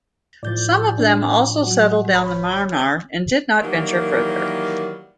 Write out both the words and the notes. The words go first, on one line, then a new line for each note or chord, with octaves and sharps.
Some of them also settled down in Myanmar and did not venture further.
A2 F3 D5 G6 A6
D4
F#3 F#4
A1 C#5 B5
D#3 E3 F#3 G3 A#3